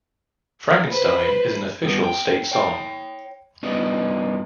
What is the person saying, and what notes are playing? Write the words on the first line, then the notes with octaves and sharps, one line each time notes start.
Frankenstein, is an official state song.
B4 C5
G2 B3
G5
C#5 G5
G2 B3 D4 D#4